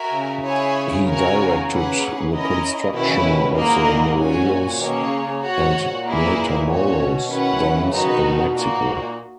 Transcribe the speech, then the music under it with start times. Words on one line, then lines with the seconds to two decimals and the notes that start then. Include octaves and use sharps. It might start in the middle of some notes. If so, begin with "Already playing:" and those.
He directed the construction of the Morelos and Matamoros dams in Mexico.
Already playing: F#4 A#4 E5 G#5
0.12 C#3
0.43 E4 G#4 C#5 E5 G#5
1.05 F#4 A#4 C#5 G#5
1.67 A#3 C#4 G#4 B4 F#5
2.30 C#4 E4 A#4 D#5
2.92 B2 D#3 C#4 E4 B4
3.08 C#3 E3
3.23 B2 D#3
3.39 B2
3.48 A#2
3.54 G#2 A#3 E4 A#4 D#5 F#5
3.70 A#2
3.86 A#2
4.02 G#2
4.17 A#2 C#4 F#4 C#5 G#5
4.33 G#2
4.48 A#2
4.63 A#2
4.79 B2 D#3 A#3 C#4 G#4 C#5
4.91 D#3
5.00 C#3
5.20 C#3
5.42 F#4 C#5 F#5
5.57 G#2
5.72 G#2
5.88 A#2
6.04 A#3 E4 G#4 B4 E5
6.59 G#2
6.66 A#2 C#4 F#4 C#5
6.97 B2
7.28 B2 D#3 C#4 E4 B4 F#5
7.59 F#3
7.67 E3
7.74 D#3
7.81 C#3 E3
7.90 D#3 F#3 B3 D#4 F#4
8.00 C#3
8.06 B2 D#3
8.21 B2 D#3
8.37 B2
8.53 A#2 A#3 D#4 F#4
8.74 G#2
8.95 A#2